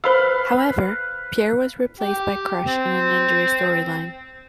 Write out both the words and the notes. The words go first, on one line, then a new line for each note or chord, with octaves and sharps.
However, Pierre was replaced by Crush in an injury storyline.
B4 C5 F5 B5 E6
G4
C4